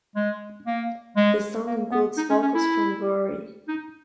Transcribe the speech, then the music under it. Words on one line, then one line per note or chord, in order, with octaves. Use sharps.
The song includes vocals from Vory.
G#3
A#3
G#3
A#3
B3
D#4
C#4
C#4
E4
D#4